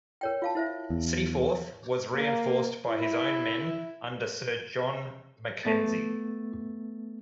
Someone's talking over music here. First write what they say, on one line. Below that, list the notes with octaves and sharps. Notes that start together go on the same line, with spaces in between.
Seaforth was reinforced by his own men under Sir John MacKenzie.
A#4 C#5 G5
F4 F5 A5
E4 C5 E5
E2
A#3
E4
A3 B3 A6